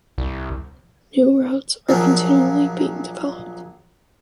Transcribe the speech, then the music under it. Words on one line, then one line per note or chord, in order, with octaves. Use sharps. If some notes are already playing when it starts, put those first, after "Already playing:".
New routes are continually being developed.
C2
A#1 A#2 F3 F#3